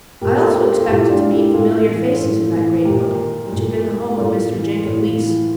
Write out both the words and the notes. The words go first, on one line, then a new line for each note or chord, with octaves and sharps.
I also expected to meet familiar faces in that great building, which had been the home of Mr. Jacob Leese.
A#2 G4 A#4
G4
F4 A4
G4 A#4
F4 A4
F4
A#2 E4 G4
D4 F4
E4 G4
A2 F4 A4
E3
A2
E3
A#2 G4 A#4
A#2
A2 F4 A4
E3
A2
E3